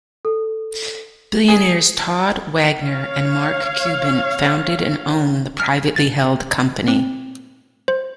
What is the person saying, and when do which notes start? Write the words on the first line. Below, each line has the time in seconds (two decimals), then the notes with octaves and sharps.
Billionaires Todd Wagner and Mark Cuban founded and own the privately held company.
0.25 A4
1.48 G#4
2.83 C#5 F5
5.60 F6
5.96 A6
6.88 C4
7.88 C5